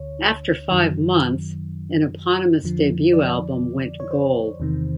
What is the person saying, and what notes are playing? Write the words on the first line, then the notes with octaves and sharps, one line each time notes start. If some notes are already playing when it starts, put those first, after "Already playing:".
After five months, an eponymous debut album went Gold.
Already playing: D2 D3 C#5
F#2 D#3 F#3
F2 D3 F3
D5
C#5
C5
E2 C3 D#3